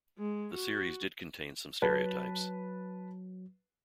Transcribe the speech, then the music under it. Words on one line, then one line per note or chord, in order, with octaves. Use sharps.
The series did contain some stereotypes.
G#3
F#4
F#3 B4 A5